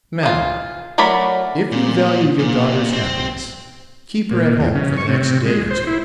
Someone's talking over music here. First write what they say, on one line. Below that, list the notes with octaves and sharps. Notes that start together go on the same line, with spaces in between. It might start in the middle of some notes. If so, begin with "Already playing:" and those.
MADAM,--If you value your daughter's happiness, keep her at home for the next day or two.
F4 G#4
F#3 A3 A#4 D5 B5
A#2
A#2
C4
A#2
E2
C#3
C#6
C3
G#3
C5
E4